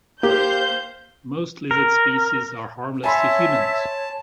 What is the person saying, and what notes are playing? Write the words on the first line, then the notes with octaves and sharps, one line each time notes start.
Most lizard species are harmless to humans.
A#3 G4 C5 F5 G6
A#4
C#5 E5 G#5 A5 B5 C6